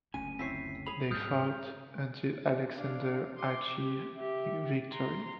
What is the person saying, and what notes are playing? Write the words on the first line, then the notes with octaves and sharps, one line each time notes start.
They fought until Alexander achieved victory.
F#1 D2 C#4 G#5 D#7
C4 E4 C#5 B6 C7
G#4 B5 F7
G#2 B2 G3 D#6 F6 G6
D4 F5
C6 D6
G4
G4 E5
A#5 C6